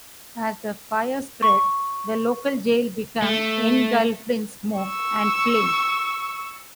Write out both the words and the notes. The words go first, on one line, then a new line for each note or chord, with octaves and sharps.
As the fire spread, the local jail became engulfed in smoke and flame.
C#6
A3
C#6 E6